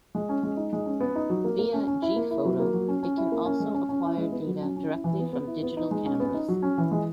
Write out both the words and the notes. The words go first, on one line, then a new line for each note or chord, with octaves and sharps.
Via gPhoto it can also acquire data directly from digital cameras.
G#3
C#4
G#3
D#4
G#3
C#4
B3
D#4
F#3
A#3
A#3
C#4
C#4
E4
A#3
E4
F#3
A#3
F#3
C#4
C#4
E4
A#3
C#4
G#3
C#4
C#4
E4
G#3
B3
F#3
C#4
C#4
E4
E3
B3
B3
E4
B3
D#4
G#3
C#4
B3
D#4
F#3
C#4
E3
G#3